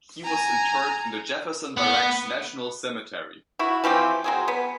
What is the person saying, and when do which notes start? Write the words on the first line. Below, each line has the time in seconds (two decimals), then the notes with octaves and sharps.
He was interred in the Jefferson Barracks National Cemetery.
0.24 G#5 A#5
1.78 B3
3.59 E4 F#4
3.84 E3 F3 C4 G4
4.24 F#3 C4 G#4
4.48 B3